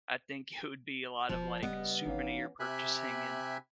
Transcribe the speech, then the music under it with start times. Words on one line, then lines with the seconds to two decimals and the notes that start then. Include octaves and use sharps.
I think it would be a lot of, like, souvenir purchasing and,
1.29 E1 F3
1.63 C#3 G3 B3 D#5
2.06 G#1 E3 C#4 D#4 F5
2.60 C3 G4 E5 G#5 B5 F#6